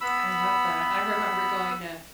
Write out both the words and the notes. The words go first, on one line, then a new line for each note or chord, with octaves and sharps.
I love that. I remember going to,
B3 B5 E6